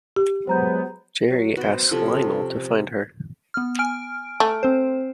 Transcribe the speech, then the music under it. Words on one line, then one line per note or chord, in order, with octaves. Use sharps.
Jerry asks Lionel to find her.
G4
F#3 G#3 B3 C5 A#5 G6
F#3
B3 F#4 C5
C3 F3 C#4 A4
B3 F6
G#5 F6 D7
A3
C4 C5